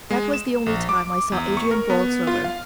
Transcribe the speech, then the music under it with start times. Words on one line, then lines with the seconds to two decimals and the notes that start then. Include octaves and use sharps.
That was the only time I saw Adrian Borlsover.
0.10 G#3
0.34 E7
0.66 A#1
0.89 D6
1.32 E2
1.57 C#6
1.71 A#4
1.90 B3
2.27 F4
2.44 F5